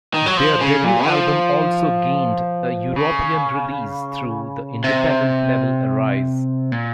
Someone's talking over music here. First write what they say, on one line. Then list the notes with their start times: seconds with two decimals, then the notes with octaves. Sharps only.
Their debut album also gained a European release through the independent label Arise.
0.14 D#3
0.26 F#3
0.37 F3
0.61 C#3
0.84 A#2
1.07 F3
2.96 C#3
4.84 C3
6.72 A#2